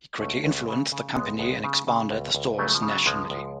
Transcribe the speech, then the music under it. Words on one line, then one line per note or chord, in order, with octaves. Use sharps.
He greatly influenced the company and expanded the stores nationally.
C#2 A3 C#4
C#2
C#3
C#3
C#2 G#3 B3
C#2
C#3
C#3
C#2
C#2
C#3 F#3 A3
F3
C#3
F#3
C#2 F3 G#3
C#2